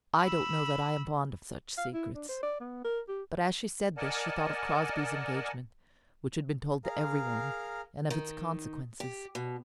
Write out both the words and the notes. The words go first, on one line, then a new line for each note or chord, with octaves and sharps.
"I don't know that I am fond of such secrets." But as she said this, she thought of Crosbie's engagement, which had been told to every one, and of its consequences.
B5 E6
F5
E4
D4
C5
D5
B3
A#4
G4
A#4 D5 D#5 F#5 G#5 A5
G#4 A#4 F5 A#5
D#3
G4
B2